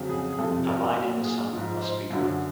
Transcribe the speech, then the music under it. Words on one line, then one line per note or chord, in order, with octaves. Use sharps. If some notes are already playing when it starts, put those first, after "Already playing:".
A line in the sand must be drawn.
Already playing: F2 C#3 F#3
G#4
G#4
F2 C3 F3 A4
A#4
A#2 F#3
G#4
G#2 F3
C5
F#2 D3 F#3